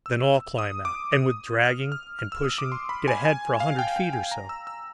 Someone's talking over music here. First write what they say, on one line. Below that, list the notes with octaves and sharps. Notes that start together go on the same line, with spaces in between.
Then all climb out, and with dragging and pushing get ahead for a hundred feet or so.
E6
D#6
D6
D#6
F6
F6
F6
E6
D#6
D6
C6
B5
G#5
G#5
F5
G5
G5
G#5
A#5
E6
E6